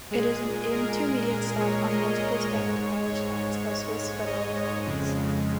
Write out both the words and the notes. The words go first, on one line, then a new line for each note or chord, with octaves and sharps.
It is an intermediate stop on multiple standard gauge lines of Swiss Federal Railways.
A#2 G#3 G#4
A#4
G#4
A#4
C#5
D#5
D#5
G#2 G#3 C#5
C#5
D#5
F2 C#3 G#3